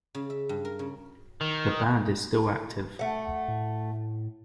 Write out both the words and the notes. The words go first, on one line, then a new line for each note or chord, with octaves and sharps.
The band is still active.
C#3
E5
G2
A#4
C#3
D#3
A3 F#5
A2